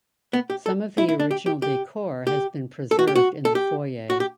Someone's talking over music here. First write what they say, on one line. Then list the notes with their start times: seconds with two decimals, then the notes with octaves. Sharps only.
Some of the original decor has been preserved in the foyer.
0.33 B3
0.50 G4
0.66 A4
0.98 E4
1.09 E4
1.20 D4
1.31 G4
1.46 G4
1.62 G4
2.27 G4
2.91 A4
2.99 F#4
3.07 G4
3.15 F#4
3.45 A4
3.55 G4
4.10 F#4
4.20 G4